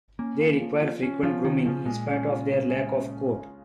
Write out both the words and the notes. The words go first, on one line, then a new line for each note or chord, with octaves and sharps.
They require frequent grooming, in spite of their lack of coat.
A#3 C#4
F4
F3
F3
C#4
F3 F4
D#3 F3
C#3 F3
A#2 G#3
C#4
F4
C#3
G#3
C#4